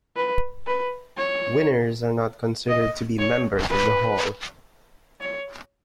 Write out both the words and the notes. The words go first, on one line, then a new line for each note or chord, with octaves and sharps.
Winners are not considered to be members of the Hall.
B4
B4
C#5
D#5
C#5
B4
C#5